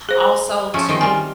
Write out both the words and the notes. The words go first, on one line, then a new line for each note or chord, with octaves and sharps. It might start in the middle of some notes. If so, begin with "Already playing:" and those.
also too
G#4 C5
F3 A3 C#4
D#3 C4 D#4
G3 F4 G#5